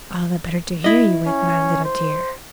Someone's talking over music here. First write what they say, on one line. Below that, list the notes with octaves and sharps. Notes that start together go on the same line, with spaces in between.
"All the better to hear you with, my little dear."
E4 D#5
C#4
C5